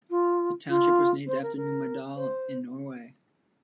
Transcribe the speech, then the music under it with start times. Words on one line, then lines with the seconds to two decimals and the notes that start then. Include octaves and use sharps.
The township was named after Numedal, in Norway.
0.09 F4
0.69 F4
1.27 C5
1.42 A#4
1.56 A#4
2.16 C5